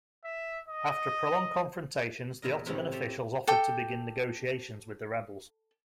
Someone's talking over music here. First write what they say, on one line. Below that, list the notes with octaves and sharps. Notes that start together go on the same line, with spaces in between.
After prolonged confrontations the Ottoman officials offered to begin negotiations with the rebels.
E5
D#5
E2 A#2 E4 F4 A#4 D#5
A2 C3 F3 G#3 C#4 E4
G4 A4 C5 C#5
A4 G5 D6